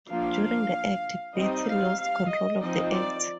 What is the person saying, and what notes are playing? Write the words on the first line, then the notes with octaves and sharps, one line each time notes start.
During the act, Beatty lost control of the act.
F3 A#3 D4 F5
G3 C4 D#4 D#5
F5
F5
D#5
F3 C4 D#4 D#5
D5